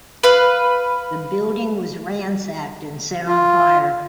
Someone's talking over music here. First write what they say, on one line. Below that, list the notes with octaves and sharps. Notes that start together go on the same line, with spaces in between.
The building was ransacked and set on fire.
B4 F5
F4